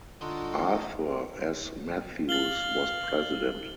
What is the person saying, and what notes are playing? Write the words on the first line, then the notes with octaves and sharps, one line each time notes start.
Arthur S. Matthews was President.
D3 D#4 F4 F#4 A4 D#5 C6
F5 A6 F#7 G7